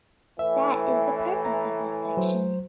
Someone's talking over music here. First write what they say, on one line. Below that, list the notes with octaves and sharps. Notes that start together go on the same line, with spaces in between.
That is the purpose of this section.
A2 E3 E5
A#5
F#3 C5